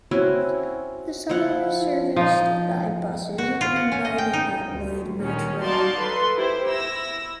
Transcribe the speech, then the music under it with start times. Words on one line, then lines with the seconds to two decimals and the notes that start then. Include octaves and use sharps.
The suburb is serviced by buses run by the Adelaide Metro.
0.11 C4 C#4 E4 F#4
1.29 F3 E4 F4 F#5
2.16 F3 D#4
3.38 F#4
3.61 F4
3.76 F#5
3.92 C#4
4.05 D#5
4.18 G5
4.33 D#4
4.70 D2
5.19 A#2 D#3 C#4
5.62 D#4 F#4 D5 F5 A5 C6
5.99 A4 B4 C6
6.36 E4 G4 C5
6.66 E4 E6 A#6